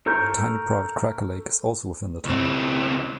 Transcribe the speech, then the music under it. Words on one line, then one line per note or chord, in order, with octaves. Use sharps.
The tiny private Cracker Lake is also within the town.
A4 A#4 A#5 C#6 G6
C#2 C4